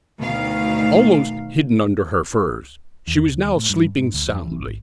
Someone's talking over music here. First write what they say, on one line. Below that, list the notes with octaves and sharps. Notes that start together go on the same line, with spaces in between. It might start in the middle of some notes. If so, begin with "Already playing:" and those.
Almost hidden under her furs, she was now sleeping soundly.
D2 B2 D#3 F5
E2
C#2
D#2
A2
G2
G#2
D2
F2
E3
G#1